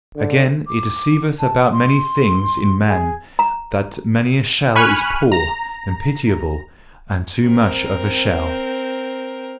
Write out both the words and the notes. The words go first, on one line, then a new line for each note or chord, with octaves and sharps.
Again, it deceiveth about many things in man, that many a shell is poor and pitiable, and too much of a shell.
D3
D6
A5
C6
G#4
A#5
G#5 B5 C#6 F6 F#6 D#7
A#5
C4 A#4